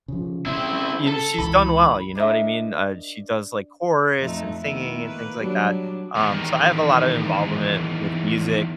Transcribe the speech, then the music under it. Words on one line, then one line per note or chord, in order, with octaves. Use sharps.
You kn she's done well, you know what I mean? Uh, she does, like, chorus and singing and things like that, um, so I have a lot of involvement with music.
C#3 F3
C#3 C4 E4
A4
C#2 E3 B5
D4 A#4 D#5 E5
F2 A3 D#4
D#3 B3 E4
A#3 B4
F#3 G3 D4
E2 D#3